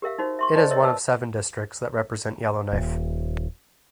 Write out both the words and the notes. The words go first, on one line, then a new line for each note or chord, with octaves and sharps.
It is one of seven districts that represent Yellowknife.
G4 A#4 E5 F5
D#4 F#4 C5
E5 C6 C#6
C5 D5 D#5 G#5 A5
A#4 B4 C#5 D#5 E5
B4 A5 E6
D#1